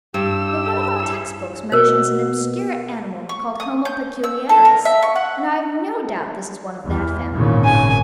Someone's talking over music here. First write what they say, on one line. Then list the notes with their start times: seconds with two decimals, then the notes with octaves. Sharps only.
But one of our text-books mentions an obscure animal called Homo Peculiaris, and I have no doubt this is one of that family.
0.14 G2 G4 E6
1.01 G3 C#4 E4
1.72 B2 A#4 C5
3.29 C#6
3.60 D#6
3.85 G6
4.24 E6
4.49 A4
4.65 A#4
4.85 E5
5.02 C#6
5.16 F#5
6.85 E2
7.31 G#1 A#2 C#3
7.65 G#5